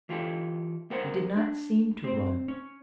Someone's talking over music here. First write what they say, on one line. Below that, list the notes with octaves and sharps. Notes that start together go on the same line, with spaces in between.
He did not seem to run.
E3 F4 G4 A4
G3 B3 A#4 C5 F#5
D4
C4 C5
C#4